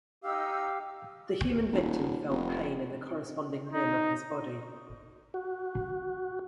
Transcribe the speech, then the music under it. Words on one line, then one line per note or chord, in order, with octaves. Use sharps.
The human victim felt pain in the corresponding limb of his body.
D#4 G4 D#5 F5 E6
D#1
F1
D#4
F#4